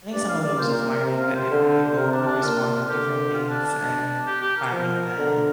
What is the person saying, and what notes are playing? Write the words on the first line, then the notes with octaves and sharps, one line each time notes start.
I think some of it was just learning that different people respond in different ways and finding that
G2 D5
F5
D5
A#2 C5
A#4
A#4
C3
F5
C5
D3
C3 A#4
D4
D4
A#2 F4
D3 G4
F4
D4
D4
G4
G4
A#4
F3
D3